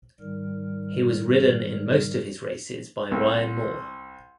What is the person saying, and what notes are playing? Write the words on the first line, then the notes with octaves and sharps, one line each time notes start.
He was ridden in most of his races by Ryan Moore.
G#2 D#3 G3 A#4
C2